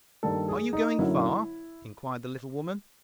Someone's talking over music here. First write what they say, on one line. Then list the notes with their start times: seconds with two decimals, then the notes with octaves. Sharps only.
Are you going far?' inquired the little woman.
0.23 G2 D#3 G3 A#3 A4
0.48 G#4
0.73 D#4
0.99 F#2 D3 F#3 A#3 E4